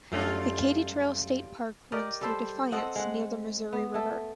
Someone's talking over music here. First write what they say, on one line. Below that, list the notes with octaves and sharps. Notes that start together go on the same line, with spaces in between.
The Katy Trail State Park runs through Defiance near the Missouri River.
F#2 G3 A3 C#4 D4 F4
G4 A#4 D5 D#5
G3 A4 C5
C4 A4 D#5 F#5
G#3 F#5
B3
A3 A4